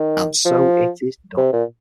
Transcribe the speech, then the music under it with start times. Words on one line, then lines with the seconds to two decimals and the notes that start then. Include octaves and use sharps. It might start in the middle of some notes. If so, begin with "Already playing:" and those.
And so it is done.
Already playing: D#3
0.45 F3
1.37 C3
1.52 A#2